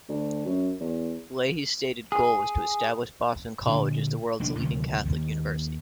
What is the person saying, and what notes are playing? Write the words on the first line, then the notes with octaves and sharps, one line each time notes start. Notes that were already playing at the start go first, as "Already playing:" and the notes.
Leahy's stated goal was to establish Boston College as the world's leading Catholic university.
D2
F#2
E2
G#4
A#2 D3 D4
F1 A#1 D#3 D4
D2 C3 D#3 F#3
D#2 D#3